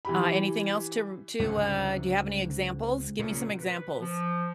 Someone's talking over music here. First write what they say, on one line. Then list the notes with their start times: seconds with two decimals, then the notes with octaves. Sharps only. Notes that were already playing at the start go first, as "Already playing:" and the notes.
Uh, anything else to r to uh do you have any examples? Gimme some examples.
0.05 E3 G4 B5
1.40 C#2 G#2 D3
3.19 A#2 C#3
3.62 B4
4.00 F3